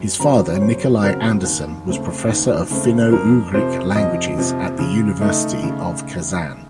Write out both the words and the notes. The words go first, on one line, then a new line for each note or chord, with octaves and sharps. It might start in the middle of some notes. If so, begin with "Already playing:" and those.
His father, Nikolai Anderson, was professor in Finno-Ugric languages at the University of Kazan.
Already playing: F#2
C#3 F#3 C4 A#5
C#5
F#2 C5
C#3 F#3 C4 A#4
D#2
C#3 A3 C4
D#2
C#3 A3 C4
F2 A#4
C3 F3 C5
F2 D#5
C3 F3
C#3
A3 D#4
C#3